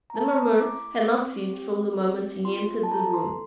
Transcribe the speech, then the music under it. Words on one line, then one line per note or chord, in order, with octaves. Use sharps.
The murmur had not ceased from the moment he entered the room.
A#5
A3 A5
A#5
E4 D6
C4
G4
C4
F4 C6
A5
A4 A#5
C6